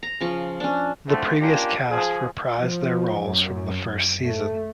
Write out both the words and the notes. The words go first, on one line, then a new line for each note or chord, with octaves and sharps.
The previous cast reprised their roles from the first season.
A#5
C#3 F3 C#6
C#4 D4
D3 E3 F3 A3 C4
A#3 C#4 D4 F4 G4
F3 G#4
F3
F#2
A3